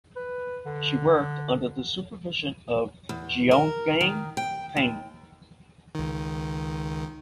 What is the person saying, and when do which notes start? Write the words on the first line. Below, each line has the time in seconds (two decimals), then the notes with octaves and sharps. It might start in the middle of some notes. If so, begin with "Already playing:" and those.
She worked under the supervision of Xiaogang Peng.
0.16 B4
0.65 D3
3.09 E2
3.51 A#4
4.01 D#3
4.37 G5
4.77 D#2
5.95 C#2 D#3